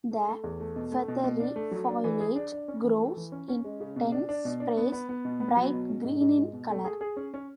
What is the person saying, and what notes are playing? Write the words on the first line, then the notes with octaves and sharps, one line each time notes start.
The feathery foliage grows in dense sprays, bright green in color.
A3
A3
E2
A3
B2
A3
B2
B2
D4
A3
F#3
D4
E3
G#4
D4
D4
C#4
E3
A3
E3
C#4
C#4
G#3
C#3
B2
D4
D4
B2
D4
B3
B3
B3
B2
B3
F#3
B2
C#4
G#2
G#2
G#3
B2
A3
G#4
G#4
C#4
C#4